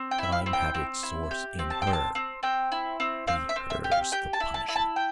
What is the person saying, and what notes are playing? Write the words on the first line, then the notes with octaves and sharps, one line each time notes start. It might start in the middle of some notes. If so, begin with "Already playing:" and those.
The crime had its source in her; be hers the punishment!
Already playing: C4
G5
E4 E5
F5
C4
G5
C4
E4
G4
C4
A5
G5
C4
A5
C4
C4 G5
E4
C4
C4 F5
E5
C4
E5
G4
F5
G4 G5
A5
E4
A5
E4
A5
G5